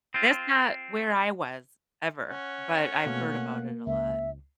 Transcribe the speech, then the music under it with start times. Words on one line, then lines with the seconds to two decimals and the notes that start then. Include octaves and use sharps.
That's not where I was ever, but I've heard about it a lot.
0.14 C4 F4
2.25 C#4 F#5
3.06 B2 A3 A#3 F5
3.87 C#2 E5